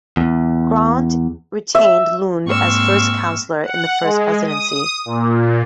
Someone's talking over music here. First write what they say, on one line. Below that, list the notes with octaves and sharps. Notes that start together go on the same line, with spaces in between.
Grant retained Lund as first counselor in the First Presidency.
E2
E5
G#2 A#3 C4 C#6 E6 F6
F#5
G#3
D#6
A#2